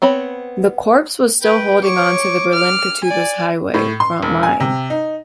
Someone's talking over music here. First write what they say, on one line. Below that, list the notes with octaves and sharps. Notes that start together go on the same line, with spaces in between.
The corps was still holding on to the Berlin-Cottbus highway front line.
B3 C4 C#5 B5
B4 G5
C#5 C#6 D6
F6
D5 G#5
A2
C6
E1
G#5
C3
D#4